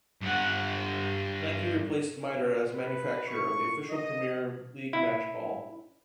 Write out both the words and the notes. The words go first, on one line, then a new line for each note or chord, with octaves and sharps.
Nike replaced Mitre as manufacturer of the official Premier League match ball.
G2 F#5
B4
C#6
D#5
E4